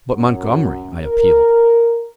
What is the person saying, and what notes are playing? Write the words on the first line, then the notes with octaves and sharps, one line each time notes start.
"But, Montgomery," I appealed.
F#2
A#4